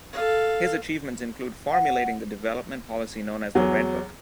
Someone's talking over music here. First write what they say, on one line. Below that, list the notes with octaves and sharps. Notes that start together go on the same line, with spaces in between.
His achievements include formulating the development policy known as the Red Book.
A4 F5
F#5
E2 F#3